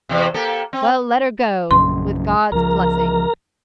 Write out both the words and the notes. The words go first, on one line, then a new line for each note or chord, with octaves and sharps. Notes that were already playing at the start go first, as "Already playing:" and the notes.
"Well, let her go, with God's blessing!"
E2 C3
A#3 G4 A4
C4
A#1 F#2 C#3 C6
C#2 F3 A#4 A#5